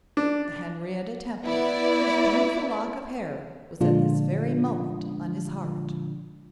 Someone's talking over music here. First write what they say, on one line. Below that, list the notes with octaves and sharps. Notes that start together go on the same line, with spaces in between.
The Henrietta Temple whose beautiful lock of hair was at this very moment on his heart!
D4
B3 E4 D5
A#2 D3 F3 G#3 D4 F4